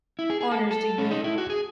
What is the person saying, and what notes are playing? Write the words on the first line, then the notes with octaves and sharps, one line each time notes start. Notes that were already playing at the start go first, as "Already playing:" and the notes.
Honors degree.
E4
G#4
G#4
A4
A4
C#4
D#4
E4
F#4
G#4